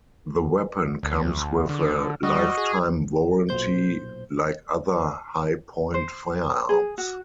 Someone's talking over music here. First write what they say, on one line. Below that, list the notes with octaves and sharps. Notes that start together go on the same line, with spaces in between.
The weapon comes with a lifetime warranty like other Hi-Point firearms.
D2
D3
G3 F#4 D#5
G#4
B1 A#2 C5 G6
C5
G#4
F#4